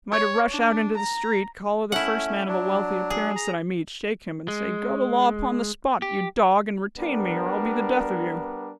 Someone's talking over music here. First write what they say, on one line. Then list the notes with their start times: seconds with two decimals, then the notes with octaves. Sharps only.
Am I to rush out into the street, collar the first man of a wealthy appearance that I meet, shake him, and say, "Go to law upon the spot, you dog, and retain me, or I'll be the death of you"?
0.12 C#5
0.51 D4
0.96 A#5
1.92 A3 C#4 E4 F#5
2.48 F#3 D4
3.10 G#4
3.36 A#5
4.48 G#3
6.02 G4
6.99 G3 B3 D4 A#4